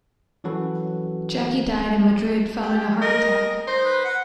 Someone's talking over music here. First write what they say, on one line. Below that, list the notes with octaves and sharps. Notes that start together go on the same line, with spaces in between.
Jaki died in Madrid following a heart attack.
E3 F#3 C#4 F#4 A4 B4
G4
A#4 D#5
D#4 C5
B4
F#5